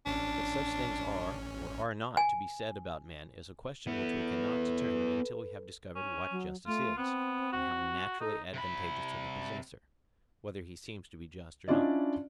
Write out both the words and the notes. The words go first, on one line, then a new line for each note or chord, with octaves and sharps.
That such things are or are not to be said about men is a question which we cannot determine until we have discovered what justice is, and how naturally advantageous to the possessor, whether he seem to be just or not.
A1 C#4 D4
G#5
B3 E4 A4 B4
C#4
F#3
A3 F4
B3 C4
F#4
D#4 A4
C3 B5
C#4 D4 E4 F4 D5 D#5